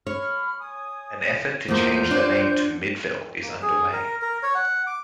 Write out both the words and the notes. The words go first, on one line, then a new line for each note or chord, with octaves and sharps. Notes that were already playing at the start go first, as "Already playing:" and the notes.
An effort to change the name to MidVil is underway.
C#5 B5 F6
G#5 D#6
E2 A#3 F4 C5 G6
D4 C#5 F#5
A#3
G#4
A#4
A#4
C#5
F#5
D6